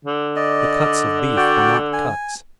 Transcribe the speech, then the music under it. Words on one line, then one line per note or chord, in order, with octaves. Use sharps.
The cuts of beef were not cuts.
D3
D5 D#5
F#4 D5 G5
G#5